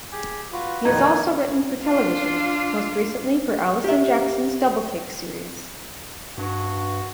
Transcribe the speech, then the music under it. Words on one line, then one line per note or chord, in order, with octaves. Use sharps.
He has also written for television, most recently for Alison Jackson's "Doubletake" series.
G4 G#4
F4 F#4 B4
F2 A#2 D#3 D#5 A#5 G#6
D4 F4
G4 E5
G2 F#4